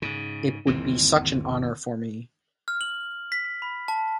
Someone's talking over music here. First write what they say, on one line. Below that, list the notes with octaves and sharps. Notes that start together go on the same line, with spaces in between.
It would be such an honor for me.
G#2 C#3
G1 D#2 E3 C4
F6
F#7
B6
B5
A5